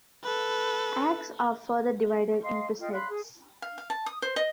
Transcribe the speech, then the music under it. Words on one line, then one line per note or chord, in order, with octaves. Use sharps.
Acts are further divided into sets.
A4 B4
D#5 F5 G#5 C6
F4 D#5 F5 G5
F5 B5 C6 F#6
G#4
F5
F5
A5
D#6
C5
D#5